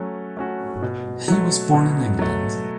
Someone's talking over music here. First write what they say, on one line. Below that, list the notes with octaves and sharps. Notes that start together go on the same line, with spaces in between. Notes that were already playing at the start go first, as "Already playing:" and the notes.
He was born in England.
Already playing: F#3 A3 C#4 F#4
A3 C#4 F#4
B2
F#3 A3
B2
F#3 A3